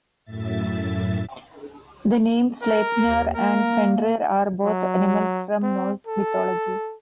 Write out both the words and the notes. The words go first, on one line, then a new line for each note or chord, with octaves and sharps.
The names Sleipnir and Fenrir are both animals from Norse mythology.
F#2 A2 E5 A6
A#4
D#2
A#3 A#4
F#3
C4
A4